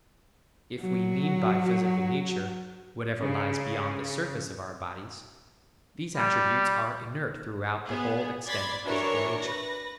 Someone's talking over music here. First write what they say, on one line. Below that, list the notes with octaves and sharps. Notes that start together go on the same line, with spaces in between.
If we mean by physical nature whatever lies beyond the surface of our bodies, these attributes are inert throughout the whole extent of physical nature.
F#3 F#4
C#3
G3
B3 G#4
D5 B5 C6 G#6 A6 B6
E3 D4 F#4 A#4 C#5 C#6
B4 A#6